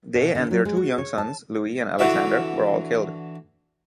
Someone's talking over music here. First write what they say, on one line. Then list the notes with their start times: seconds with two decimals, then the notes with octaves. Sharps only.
They and their two young sons, Louis and Alexander, were all killed.
0.14 B2
0.35 D3
0.51 F#3
0.65 G#3
0.77 F#4
0.98 C#5
1.18 A5
1.99 D3 E3 D4 F#4 E5